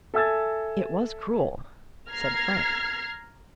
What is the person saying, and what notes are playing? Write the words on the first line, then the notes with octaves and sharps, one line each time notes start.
"It was cruel," said Frank.
A4 E5 G#5 E6 G#6 A6
A#5 F6 G#6 C7